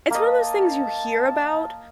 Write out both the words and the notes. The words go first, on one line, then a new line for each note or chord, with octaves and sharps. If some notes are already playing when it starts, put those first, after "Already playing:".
it's one of those things you hear about,
A#3 D#5 A5